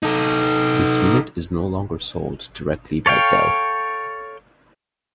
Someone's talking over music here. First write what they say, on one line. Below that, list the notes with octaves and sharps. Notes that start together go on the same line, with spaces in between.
This unit is no longer sold directly by Dell.
D#4 A4
A4 C#5 F5 G5